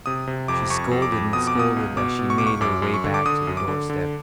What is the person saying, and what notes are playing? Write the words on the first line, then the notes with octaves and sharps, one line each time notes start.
She scolded and scolded as she made her way back to the doorstep.
C3 D#6
C3
F2 D6
F2 C#6
F2
D6
F2
B2 D#6
D6
B2 D#6
C#2
B2 D6
B2
C#6
C#2 D6
C#6
F#2 D6
F#2
C#6
D3
D6
D3 D#6
F#2
D6
D3
D3